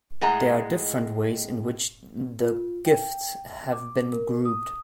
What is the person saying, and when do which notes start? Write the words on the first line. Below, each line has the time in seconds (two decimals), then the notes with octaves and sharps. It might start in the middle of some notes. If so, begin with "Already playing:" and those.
There are different ways in which the gifts have been grouped.
0.21 A2 G#3 D#5 F#5 A#5
2.41 F4
2.86 G5
3.72 D6
4.12 A#4
4.45 D#6